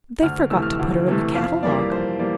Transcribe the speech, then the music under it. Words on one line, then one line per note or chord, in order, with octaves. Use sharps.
"They forgot to put her in the catalogue."
D2 F6
C3 E3 A3 E6
F6
E6
D2
C3 E3 A3
F2 F5
E3 G3 A#3 D5
F2 C5
E3 G3 A#3 D5